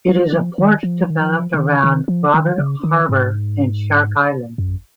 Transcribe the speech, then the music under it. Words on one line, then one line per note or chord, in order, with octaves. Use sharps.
It is a port developed around Robert Harbour and Shark Island.
F3
F3
D#3
F3
D#3
F3
C#3
D#3
D#3
F3
D#3
C#3
D#3
G#2
F#2